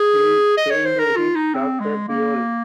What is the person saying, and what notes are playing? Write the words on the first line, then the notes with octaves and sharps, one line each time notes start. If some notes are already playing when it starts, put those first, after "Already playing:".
He gained his Doctor Theol.
Already playing: G#4
D#5
C#5
C5
A#4
F4
D#4
C4
G#3
A#3